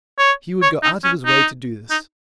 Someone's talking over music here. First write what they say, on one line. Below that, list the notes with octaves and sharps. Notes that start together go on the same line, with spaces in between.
He would go out of his way to do this.
C#5
C#5
D#4
C#4
D#4
D#4